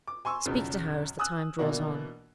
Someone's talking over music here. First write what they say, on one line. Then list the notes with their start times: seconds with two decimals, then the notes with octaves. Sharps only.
Speak to her, as the time draws on.
0.08 D6
0.25 G#5 C6 C#6 E6
0.46 B1 E2 C#3 F3
1.19 G#5 D#6 E6 F#6
1.59 B2 E3 A#3 D4 F#4